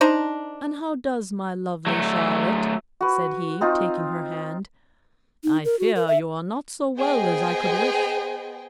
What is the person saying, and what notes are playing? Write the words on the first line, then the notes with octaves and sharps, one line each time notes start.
"And how does my lovely Charlotte?" said he, taking her hand: "I fear you are not so well as I could wish."
D4 D#4 C5 A#5
F#3 A3
F#4 B4
C4 D#4 F4
D#4
A#4
F#4
A#4
E5
B3 G#4 C5 D#5 G5